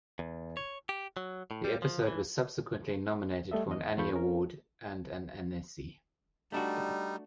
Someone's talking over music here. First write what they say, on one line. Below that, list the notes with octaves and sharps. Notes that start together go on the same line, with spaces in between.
The episode was subsequently nominated for an Annie Award and at Annecy.
E2
C#5
G4
F#3
A2
G3
F3
E3
G3 A3 A4 D#5 E5
E2 D#5
E2 F4 A4 B5 C#6 G6
C#4 A#4
G3 A3 D4 D#4 F#4